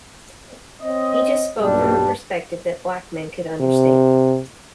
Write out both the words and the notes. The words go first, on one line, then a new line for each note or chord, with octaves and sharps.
He just spoke from a perspective that black men could understand.
C4 C#5 D#5
B1 G2 A#2 G3 D4
C3